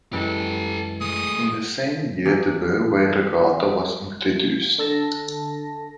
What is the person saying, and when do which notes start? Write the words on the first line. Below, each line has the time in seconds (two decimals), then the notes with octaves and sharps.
In the same year the Burway Regatta was introduced.
0.13 F#2 E3 G#3 G4 A4
1.01 A3 G#4 D#6
2.26 E2
4.78 D3 A4 A5 A#6